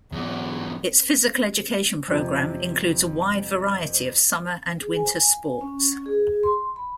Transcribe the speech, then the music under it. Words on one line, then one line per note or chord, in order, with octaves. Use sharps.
Its physical education program includes a wide variety of summer and winter sports.
E2 F#3
F2 C3
G#4
G#5
C#4
G#4
C6
B5